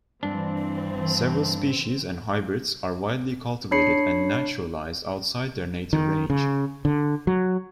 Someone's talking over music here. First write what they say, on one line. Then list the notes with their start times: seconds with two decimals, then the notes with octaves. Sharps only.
Several species and hybrids are widely cultivated and naturalized outside their native range.
0.23 G2 E3 C4 D4
3.71 D4 C#5 B5 C7 C#7
5.93 D#3
6.30 C#3
6.85 D3
7.27 F#3